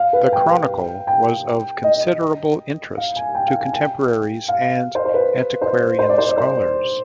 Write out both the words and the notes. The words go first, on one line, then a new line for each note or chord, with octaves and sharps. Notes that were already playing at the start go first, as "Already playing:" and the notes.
The "Chronicle" was of considerable interest to contemporaries and antiquarian scholars.
Already playing: F5
B4
G5
G5
D#5
F5
G#5
G5
F5
G#5
G5
F5
C5
C5
B4
C5
C5
D5
C5
D5
C5